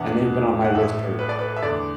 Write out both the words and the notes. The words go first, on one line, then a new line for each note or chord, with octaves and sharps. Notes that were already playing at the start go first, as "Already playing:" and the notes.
and they've been on my list for
Already playing: E1 E2 E3 D4 F#5
F#5
A1 A2 E3 A3 E4 E5
B4
D5
B4
E5
E2 D3 A3 D4 D5